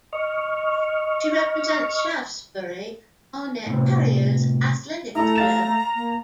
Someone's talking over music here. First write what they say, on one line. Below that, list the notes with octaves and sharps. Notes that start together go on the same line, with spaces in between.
She represents Shaftesbury Barnet Harriers athletics club.
D#5 C#6 F6
A2 C3
A3 E4 A4 A#5
F5 A6 E7
A#3